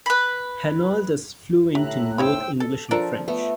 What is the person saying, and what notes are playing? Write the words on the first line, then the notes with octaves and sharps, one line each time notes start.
Henault is fluent in both English and French.
B4 B5
A2 G4 E5 A#5 F#6
D#4 C5 C#5 G5 B5 E6
A4
F3 D4 A4 A#4
A3 B3